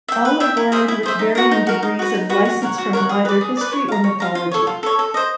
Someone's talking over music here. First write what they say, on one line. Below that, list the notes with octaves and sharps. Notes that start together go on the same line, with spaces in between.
All are borrowed-with varying degrees of licence-from either history or mythology.
E5 G5
B4
E5 G5
E4
G#4 C5 E5
E4
G#4 C5 E5
D#4
F#4 A#4
D#4
F#4 A#4
D#4
F#4 B4
D#4
F#4 B4
F#4
A#4 C#5 F#5
F#4
A#4 C#5 F#5
G#4
B4 D5
G#4
B4 D5
C#5
F5 A#5
C#5
F5 A#5
F4
A4 C#5
F4
A4 C#5
A4
C5 D#5